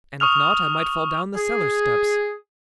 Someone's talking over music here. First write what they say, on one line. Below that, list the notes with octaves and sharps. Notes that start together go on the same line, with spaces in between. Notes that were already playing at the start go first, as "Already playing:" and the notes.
And, if not, I might fall down the cellar steps.
C#6 D#6 F6 F7
G#4